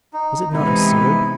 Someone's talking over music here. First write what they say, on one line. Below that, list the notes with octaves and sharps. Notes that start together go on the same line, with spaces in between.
Was it not absurd?
D#4
C3 E3 G#3 B3 D#4 E4